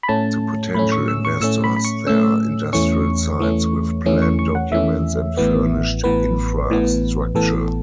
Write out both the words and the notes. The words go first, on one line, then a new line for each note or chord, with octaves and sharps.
To potential investors there are industrial sites, with plan documents and furnished infrastructure.
B5
A2 A3 C#4 A5
A2 A3 C#4 B5
C#6
E6
C#6
A2 A3 C#4 E6
B5
B5
C#6
A2 A3 C#4 E6
E2 E3 A3 C#4 C#6
E2 E3 A3 C#4
E2 E3 A3 C#4
C#6
C#6
F#5
E2 E3 A3 C#4 E5
A1 A2 E3 B3
A1 A2 E3 B3 B4
A1 A2 E3 B3
A1 A2 E3 B3 A4